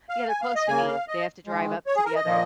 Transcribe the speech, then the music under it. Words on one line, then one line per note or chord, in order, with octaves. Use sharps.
Yeah, they're close to me. They have to drive up to the other
F5
G#5
F5
D#5
C#3 A#3 G#5
F5
D#5
D#3 G#3
C#5
G#4
A#4
D#5
A#2 F3 A#3